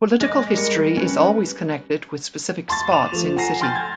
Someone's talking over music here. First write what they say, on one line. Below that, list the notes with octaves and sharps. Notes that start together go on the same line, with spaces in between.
Political history is always connected with specific spots in city.
G#3 D#5 D6
G3 A#4 C#7
C#4 B4
A5 C6 C#6 A6
D6 E7 F7
F3 A3
F#5 G#5 A#5 A#6 C7
G5 G#5 C6 F6 G6 A6
G#6